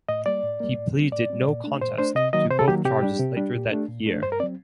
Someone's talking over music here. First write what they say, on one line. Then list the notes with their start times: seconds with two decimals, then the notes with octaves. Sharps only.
He pleaded no contest to both charges later that year.
0.09 A2 D#5
0.26 G3 A#3 D5
0.43 A2
0.60 G3 A#3
0.78 A2
0.95 G3 C4
1.12 A2 D5
1.30 G3 C4
1.47 A#2
1.64 A3 D4
1.81 A#2 C5
1.98 A3 D4 C5
2.15 C3 D#5
2.33 D#3 F#3 A#3 D#5
2.50 C3 C5
2.59 A4
2.67 D#3 F#3 A#3 G4
2.85 C3 G4
3.03 G3 D4
3.19 C3
3.36 G3 D4
3.54 A#2
3.71 A3 D4
3.88 A#2
4.06 A3 D4
4.23 G2 C5
4.32 A#4
4.40 C4 D5
4.43 F#3